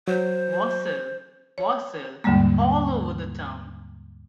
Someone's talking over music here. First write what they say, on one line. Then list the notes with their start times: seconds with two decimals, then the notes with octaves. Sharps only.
Wassail, wassail all over the town.
0.08 F#3 C5
1.58 C#5
2.24 D#2 G#2 D3 G3 G#3 A#3